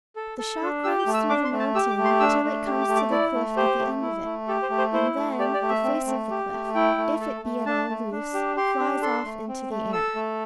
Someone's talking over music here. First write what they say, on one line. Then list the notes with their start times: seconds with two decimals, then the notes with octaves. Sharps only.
The shock runs through the mountain till it comes to the cliff at the end of it; and then the face of the cliff, if it be at all loose, flies off into the air.
0.16 A4
0.38 A4
0.62 D4
0.84 G4 E6
0.99 G6
1.07 A3
1.14 E6
1.29 D4 D6
1.45 C6
1.52 A3
1.59 A5
1.75 G4 E6
1.90 D6
1.98 A3
2.05 C6
2.20 D4 E6
2.44 A3
2.67 G4
2.81 D6
2.88 A3
2.96 D6
3.11 E4 D5
3.34 A3
3.57 G4 C5
3.79 A3
4.02 E4
4.24 A3
4.47 G4 A4
4.63 C5
4.70 A3
4.78 C5
4.93 E4 C5
5.16 A3
5.39 G4 D5
5.54 D5
5.62 A3
5.69 E5
5.84 C4
6.07 A3
6.30 G4
6.52 A3
6.75 E4 G5
6.98 A3
7.21 A4
7.44 A3
7.66 D4 A5
7.89 A3
8.11 D4
8.34 G4
8.56 G4 C6
8.80 D4
9.02 A4 C6
9.25 A3
9.48 C4
9.71 A3
9.93 A4 E6
10.16 A3